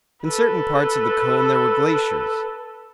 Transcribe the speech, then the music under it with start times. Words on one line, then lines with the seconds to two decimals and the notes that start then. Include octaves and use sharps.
In certain parts of the cone there were glaciers.
0.24 A4 B4